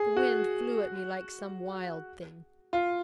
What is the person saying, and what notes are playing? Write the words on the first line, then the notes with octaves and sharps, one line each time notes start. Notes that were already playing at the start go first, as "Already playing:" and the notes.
The wind flew at me like some wild thing.
Already playing: G#4
F#4
F4